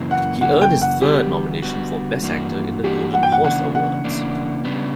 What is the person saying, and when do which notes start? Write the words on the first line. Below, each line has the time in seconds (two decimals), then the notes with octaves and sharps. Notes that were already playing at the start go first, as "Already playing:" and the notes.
He earned his third nomination for Best Actor in the Golden Horse Awards.
Already playing: F#2 C#3 E3 A#3
0.11 F#5
0.41 F#2 C#3 E3 A#3 F#5
0.62 G5
0.82 F#5
1.01 D3 G3 B3 F#4 G4
1.62 D3 G3 B3 F#4
2.22 G2 E3 A#3 D4 F#4
2.83 G2 E3 A#3 D4 F#4 G4
3.14 F#5
3.23 G5
3.32 F#5
3.44 C#3 E3 A#3 D4 F#5
3.75 F#5
4.04 C#3 E3 A#3 D4
4.65 C#3 G3 B3 D4